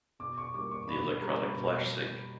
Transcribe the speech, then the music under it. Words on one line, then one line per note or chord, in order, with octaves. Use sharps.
The electronic flash sync.
B2 D6
C#6
G3 A#3 D6
C#6
B2 B5
G3 A#3 A#5
B2